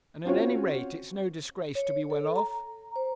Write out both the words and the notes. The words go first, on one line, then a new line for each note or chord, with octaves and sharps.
'And at any rate, it is no disgrace to be well off.'
C4 C#4 F4 F#4 C#5
C#5
A4
A#5
C5